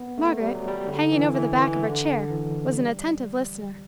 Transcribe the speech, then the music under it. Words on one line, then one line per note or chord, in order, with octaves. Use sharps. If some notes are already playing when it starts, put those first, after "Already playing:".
Margaret, hanging over the back of her chair, was an attentive listener.
Already playing: B3
A3
G3
F#3
G3
D3
E3
E3
E3
D3
E3
G3